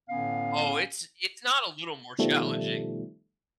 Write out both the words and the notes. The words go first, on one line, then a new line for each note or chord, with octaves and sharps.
Oh, it's it's not a little more challenging.
A2 D3 B3 C#4 F5
B2 D#3 F3 G3 A3